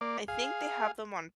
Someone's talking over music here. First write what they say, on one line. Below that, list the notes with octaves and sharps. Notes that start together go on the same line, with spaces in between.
I think they have them on
A#3 D5
G#4 F5